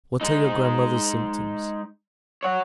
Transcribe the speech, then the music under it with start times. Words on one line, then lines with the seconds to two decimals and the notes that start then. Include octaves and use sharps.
"What are your grandmother's symptoms?"
0.21 G#3 D#4
2.43 C#5 F#5